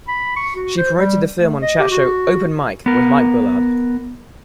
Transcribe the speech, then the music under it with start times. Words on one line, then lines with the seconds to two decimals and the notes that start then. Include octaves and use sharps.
She promoted the film on chat show "Open Mike with Mike Bullard".
0.08 B5
0.36 C#6
0.56 F#4
0.78 C5
0.99 G3
1.39 A3
1.62 D#5
1.79 G4
1.91 F#4
2.86 B3 A#4